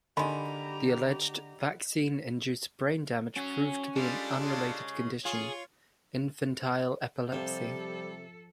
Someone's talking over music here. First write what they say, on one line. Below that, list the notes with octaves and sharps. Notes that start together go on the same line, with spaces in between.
The alleged vaccine-induced brain damage proved to be an unrelated condition, infantile epilepsy.
D3 D#3 G#3 G4 A#5 B5
F#3 C#4
G3 G#3 D4 F4 A4
C#3 G#3
F4 G#4 C#5
C3 F3 G3 A4 G5